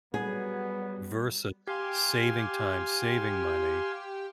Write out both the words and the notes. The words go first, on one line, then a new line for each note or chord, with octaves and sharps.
versus saving time, saving money,
F#3 G3 B3 G#4
G4 F5 G#5 C6